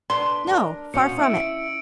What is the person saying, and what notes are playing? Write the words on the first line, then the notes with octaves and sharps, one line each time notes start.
No; far from it.
D4 A4 B4 C6
D4 A#4
B2 C#4 C5 F5 C#7
E4 D#5 E6 D7